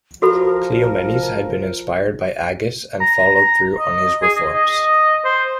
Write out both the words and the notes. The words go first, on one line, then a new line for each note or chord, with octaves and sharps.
Cleomenes had been inspired by Agis and followed through on his reforms.
F3 F#4 A4 A#4 B5
A#5
A#5
D#5
G#4
D#5
D#5
C5